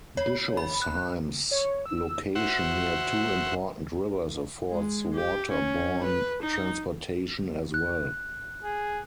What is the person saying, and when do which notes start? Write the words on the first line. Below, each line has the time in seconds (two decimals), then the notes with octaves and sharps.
Bischofsheim's location near two important rivers affords waterborne transportation as well.
0.17 C#5
0.57 B5
0.82 F#6
1.51 C#5
1.86 E6
2.35 F#4 C5 E5 F#5
4.71 G#3
5.14 G4
5.51 C#4
6.04 B4
6.42 D#4
7.74 F#6
8.63 G#4